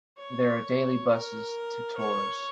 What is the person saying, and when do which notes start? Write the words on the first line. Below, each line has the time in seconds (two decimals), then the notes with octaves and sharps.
There are daily buses to Tours.
0.17 C#5
1.07 A#4
1.97 C#5